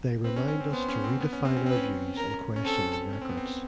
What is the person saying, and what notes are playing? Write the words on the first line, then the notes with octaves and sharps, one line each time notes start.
They remind us to redefine our views and question our records.
C4 B4
C#4
C#4
C4
B3 C5
C#4
C4
B3
C#4
C4
C#4
C4 B4
C#4
A#4
C#4
C4 A4
C#4
C4
B3
C4